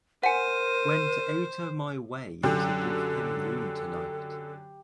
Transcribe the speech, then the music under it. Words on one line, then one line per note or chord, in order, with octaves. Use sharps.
Went outta my way to give him room tonight.
A#4 C5 F#5 G#5 D#7
F#2 D3 F#3 G4 A4